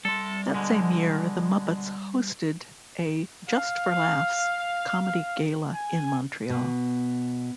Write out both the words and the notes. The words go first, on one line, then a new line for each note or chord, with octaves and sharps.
That same year, the Muppets hosted a "Just for Laughs" comedy gala in Montreal.
G3 A4 C6
B2 D3 G#3
F5
G#5
B2